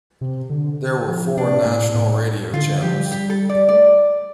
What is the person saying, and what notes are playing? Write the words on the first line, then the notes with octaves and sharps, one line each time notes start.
There were four national radio channels.
C3
D3
F3
C3 D4
A2
A2
D3 F4
D3
F3 G4
G3
G4
A4
D5
A3 D5